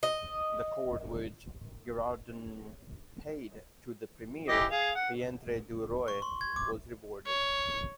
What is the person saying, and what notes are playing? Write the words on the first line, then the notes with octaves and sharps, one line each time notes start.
The court which Girardon paid to the "premier peintre du roi" was rewarded.
D#5
E3 G4 D#5
G#4 F5
F#5
C#6
C6
G#6
D6
C#5